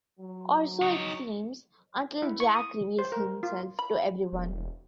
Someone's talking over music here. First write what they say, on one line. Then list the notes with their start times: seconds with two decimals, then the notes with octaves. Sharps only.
Or so it seems...until Jack reveals himself to everyone.
0.19 F#3
0.82 D#4 C#5
2.22 E4
2.40 C#6
2.55 D#6
2.99 C5
3.12 A#4
3.43 F4
3.79 B5
4.33 E1